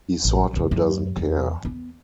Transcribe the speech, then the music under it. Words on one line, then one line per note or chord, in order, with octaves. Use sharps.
He sorta doesn't care.
A1
F#1 C#2
F#2
E2
B3